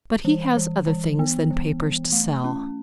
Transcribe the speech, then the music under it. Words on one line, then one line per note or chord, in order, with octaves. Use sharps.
But he has other things than papers to sell.
E3
E3
E3
B3
E3
E3
A3
C#4